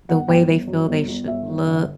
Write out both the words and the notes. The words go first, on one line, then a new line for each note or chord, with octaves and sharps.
the way they feel they should look,
G1 F#5
G1 G5
G1
F#2
G1
G1
G1 E5
G1
D3